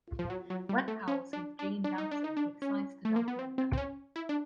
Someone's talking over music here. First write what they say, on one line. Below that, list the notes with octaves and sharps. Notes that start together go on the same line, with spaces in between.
When Powell sees Jean dancing, he decides to dump Linda.
F3
F#3
F#3
G3
A3
C#4
D4
D4
D4
D#4
D4
D#4
D4
C#4
A3
A#3
B3
C4
C4
C4
C#4
E4
D4